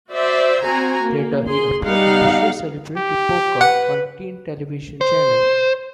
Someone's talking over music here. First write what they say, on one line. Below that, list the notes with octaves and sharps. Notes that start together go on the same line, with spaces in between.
Later, he appeared in the show Celebrity Poker on Tien television channel.
F#4 C5 D5 E5
C4 F#4 G#5 A#5
A#3
G#4 C6
G3 B3 D#4 F5 F#5
G4
B4 F#5
C5